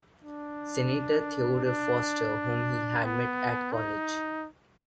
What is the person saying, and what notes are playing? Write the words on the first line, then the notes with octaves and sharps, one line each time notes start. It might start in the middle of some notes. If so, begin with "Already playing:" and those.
Senator Theodore Foster, whom he had met at college.
D4
D4
B3
D#4